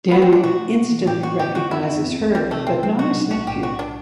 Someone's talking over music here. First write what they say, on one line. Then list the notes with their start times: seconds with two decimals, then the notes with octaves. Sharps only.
Daniel instantly recognizes her, but not his nephew.
0.11 A3 B3
0.22 C4
0.27 E4
0.33 D4
0.44 B2 F#4
0.60 A3
0.75 B3
0.91 E3
1.07 A2 G4
1.23 B3 F#4
1.39 F#2 G4
1.55 D3 F#4
1.71 F#2 E4
1.87 F#2
2.03 C4
2.19 C2
2.35 C2 G3
2.51 C3 A3
2.67 B2 C4
2.83 F#3 C4
2.99 B2 F#4
3.15 B2
3.30 B1 F#4
3.47 A2 G4
3.63 B1 F#4
3.79 D4